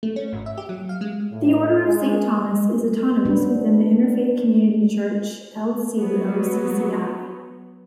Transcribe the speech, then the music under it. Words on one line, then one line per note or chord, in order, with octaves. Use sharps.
The Order of St.Thomas is autonomous within the Interfaith Community Church, Lcocci.
A3
C#4
G#1
E5
G4
F#3
F5
G#3
A2
G#3
B3 C#4 D4 F#4 B4
F#3 B3